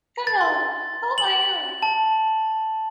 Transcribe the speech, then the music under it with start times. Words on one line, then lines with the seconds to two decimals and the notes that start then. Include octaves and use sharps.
Hello, how are you?
0.27 A6
0.41 C6
1.18 F#7
1.82 A5